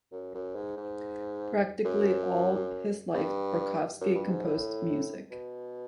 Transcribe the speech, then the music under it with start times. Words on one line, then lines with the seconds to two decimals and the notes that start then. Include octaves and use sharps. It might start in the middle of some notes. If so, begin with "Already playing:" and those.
Practically all his life Berkovsky composed music.
0.12 F#2
0.34 F#2
0.55 G#2
0.77 G#2
1.85 F#2
3.15 G2
4.01 F#2
4.15 G2
4.30 G#2
4.44 A2
5.31 B2